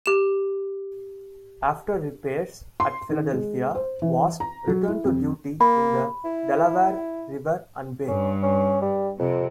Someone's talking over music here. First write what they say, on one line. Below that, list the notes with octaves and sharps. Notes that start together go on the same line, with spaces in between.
After repairs at Philadelphia, "Wasp" returned to duty in the Delaware River and Bay.
G4 E7
C6
D#3
G#3
C5
E3
A#5
F#3
E4
F2
A#3 B5
E4
G2 C#4
C#4
G3
F2 C3